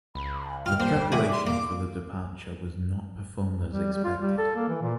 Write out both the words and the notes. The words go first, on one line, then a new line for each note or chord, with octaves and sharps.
The preparation for the departure was not performed as expected.
C#2 B5
F4 G5 F6
G3 A#3 C5
G#3 F#4 E5 G#5 D6
C6
A#3 F5 D6
G3
G3
F4
G3
A4
A#3
E3
A#2